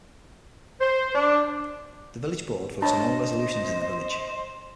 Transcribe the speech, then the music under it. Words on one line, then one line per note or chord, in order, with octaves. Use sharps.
The village board votes on all resolutions in the village.
C5
D4
D4 C5 C#5 D#5 A5